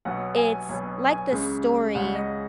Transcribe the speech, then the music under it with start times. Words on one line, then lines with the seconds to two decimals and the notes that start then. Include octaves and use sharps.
it's like the story
0.05 B1 B2 F#3 B3 F#5
0.37 G#5
0.69 B1 B2 F#3 B3 G#5
1.10 G#5
1.32 C#2 C#3 G#3
1.95 C#2 C#3 G#3 F#5
2.15 D#5